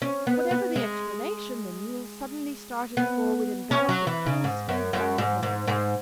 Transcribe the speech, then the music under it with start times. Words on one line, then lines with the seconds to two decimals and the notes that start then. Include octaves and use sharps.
Whatever the explanation, the mule suddenly started forward and galloped at full speed down the hill.
0.02 C#4
0.27 B3
0.51 B3
0.76 G#3
2.97 B3
3.71 C#4
3.89 F#3
4.07 E3
4.26 C#3
4.44 G#2
4.69 F#2
4.93 F#2
5.18 G#2
5.43 G#2
5.68 G#2